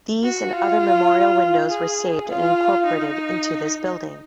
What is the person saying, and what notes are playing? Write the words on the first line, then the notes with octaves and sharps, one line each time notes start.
These and other memorial windows were saved and incorporated into this building.
F#4
F4
G#4
F4
D#4